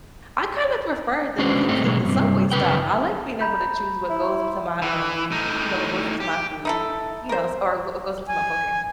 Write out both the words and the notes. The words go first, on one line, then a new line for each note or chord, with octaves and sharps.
I kinda prefer the t t the Subway style, I like being able to choose what goes into my, um you know, what goes into my food, you know, s or what, uh, goes into my poke.
G#3 C#4 D4 F#4 B4 C5
G#2 A3 C4 D#4 G4
B2 F#3 G#3 A#3
G2 C3
F#2 C#3 F3 B4 G5
A#5 B5 G6
E4
C6
E3
A2 D#4
G4
D#4 E4 A4
A#4 C5
G#5